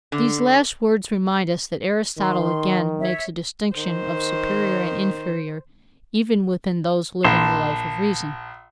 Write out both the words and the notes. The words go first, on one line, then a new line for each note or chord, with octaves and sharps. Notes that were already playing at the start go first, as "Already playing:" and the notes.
These last words remind us that Aristotle again makes a distinction of superior and inferior even within those living the life of reason.
D3
D#3 C6
C#5 E5
D#3 C5
A#1 A5 C6